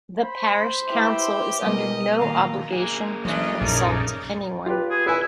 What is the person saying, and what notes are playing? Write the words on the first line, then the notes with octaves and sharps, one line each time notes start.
The parish council is under no obligation to consult anyone.
C5 B5
E4 G4 B4
B2 G3 A#4 D#5
A#2 D#3 A#4 F5 A#5
A#3 G#4
E3 F#3 A3 C#4 D4 D#5
A#1 F#2 C#4 D#4 G#4 A#4 D5
F4 G4 B4
G#4
E4 B4 G#5